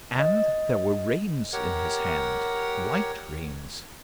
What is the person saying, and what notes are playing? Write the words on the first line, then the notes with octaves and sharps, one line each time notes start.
And there were reins in his hand--white reins.
D#5
G4 A#4 C#5 F#5